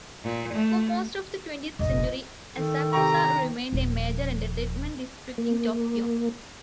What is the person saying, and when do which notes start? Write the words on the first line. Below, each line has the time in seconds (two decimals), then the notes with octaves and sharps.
For most of the twentieth century, Asakusa remained a major entertainment district in Tokyo.
0.24 A#2
0.53 A3
1.79 F1 A#1 D#5
2.04 F4
2.56 D#3 A4
2.93 C3 G5 A#5 C#6
3.72 D#1 F3
5.38 A#3